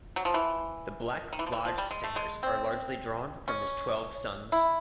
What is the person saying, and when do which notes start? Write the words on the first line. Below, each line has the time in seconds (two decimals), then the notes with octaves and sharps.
The Black Lodge Singers are largely drawn from his twelve sons.
0.16 F#3
0.25 F3
0.34 E3
1.33 D#3
1.39 E3
1.47 F3
1.52 E3
1.65 F3
1.78 G3
1.91 G#3
2.04 A3
2.16 G#3
2.43 C4
3.48 C#4
4.52 E4